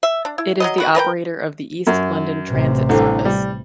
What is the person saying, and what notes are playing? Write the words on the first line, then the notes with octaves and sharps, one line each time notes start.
It is the operator of the East London Transit service.
E5
D4
E4
F#3 B3 D#5
B3 F#4
A#4 B4 C#5 G5
F#2
A1 C3
C2 D3
G3